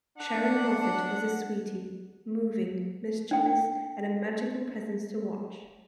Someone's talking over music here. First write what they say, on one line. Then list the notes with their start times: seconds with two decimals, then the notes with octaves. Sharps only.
Sharyn Moffett was a sweetie; moving, mischievous and a magical presence to watch.
0.17 D4 F#5
3.31 D4 G5